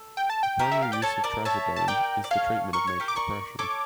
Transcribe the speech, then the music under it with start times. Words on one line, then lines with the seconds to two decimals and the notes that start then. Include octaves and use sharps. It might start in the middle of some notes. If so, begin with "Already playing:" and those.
The primary use of trazodone is the treatment of major depression.
Already playing: A4
0.17 G5
0.30 A5
0.43 G5
0.59 G4 A#4
0.71 E5
0.82 F5
0.92 D5 G5
1.02 A4 C#5 A5
1.24 A#4 D5
1.45 C#5 E5 A5
1.76 A5
1.88 A#4 D5 G5
2.24 D5
2.31 A4 C#5 F5
2.73 A#4 C#6
2.87 C#5
3.00 G4 A#4
3.08 D6
3.16 A#4 D5 C#6
3.59 A4 C#5 D6